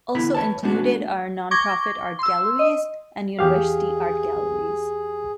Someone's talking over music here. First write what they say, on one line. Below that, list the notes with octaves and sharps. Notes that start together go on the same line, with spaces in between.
Also included are non-profit art galleries and university art galleries.
D3 B3 E4 B5
B4 C#5 A5
G#3 A3 B3 C#4 D4 F#4
C#6 D6 G#6 A#6 G7
C6 E6
D#5
E2 G4 G#4 F5